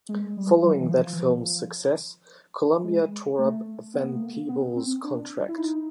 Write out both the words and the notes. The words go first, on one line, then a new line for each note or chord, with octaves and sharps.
Following that film's success, Columbia tore up Van Peebles' contract.
G#3
G3
F#3
E3
F3
E3
F3
G#3
A3
B3
A#3
A3
A#3
B3
C4
D4
E4
D#4